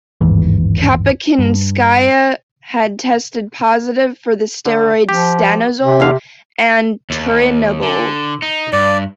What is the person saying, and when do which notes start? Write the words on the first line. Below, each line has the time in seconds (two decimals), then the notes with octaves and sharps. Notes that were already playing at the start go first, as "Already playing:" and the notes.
Kapachinskaya had tested positive for the steroids stanozol and turinabol.
0.21 G1 D#2 G#2 E3
1.39 G2
4.66 D3
5.09 F3 G4
5.83 C3
6.00 E2 D3 F5
7.10 D#2
7.83 D3
8.42 D#4
8.73 G2 D5